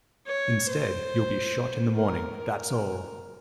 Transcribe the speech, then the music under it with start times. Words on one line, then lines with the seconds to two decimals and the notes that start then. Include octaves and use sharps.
Instead, you'll be shot in the morning, that's all!.
0.27 C#5
0.69 C5
1.95 A#4
2.37 A#4